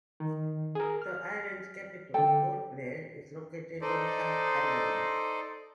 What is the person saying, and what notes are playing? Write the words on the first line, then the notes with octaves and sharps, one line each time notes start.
The islands' capital, Port Blair, is located on South Andaman.
D#3
G#4 A#4
F6
D3 A4 G5
D#4 A4 C5 D5 D#5